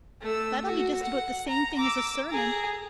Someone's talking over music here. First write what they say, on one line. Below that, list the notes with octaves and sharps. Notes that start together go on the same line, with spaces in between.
That will be just about the same thing as a sermon.
A3 E6
F#4
F#5
A#5
D6 E6
G#4 A#5